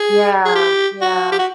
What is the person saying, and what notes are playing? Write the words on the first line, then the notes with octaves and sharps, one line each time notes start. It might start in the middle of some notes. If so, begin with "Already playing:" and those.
Yeah. Yeah.
Already playing: G#4
G#4
G4
F#4
G4
F#4